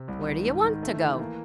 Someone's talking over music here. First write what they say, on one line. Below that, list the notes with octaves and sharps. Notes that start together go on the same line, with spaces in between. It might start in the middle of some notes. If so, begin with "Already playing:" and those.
"Where do you want to go?"
Already playing: C3
C2
D#3
G#2
D#3
A3
E3
A#3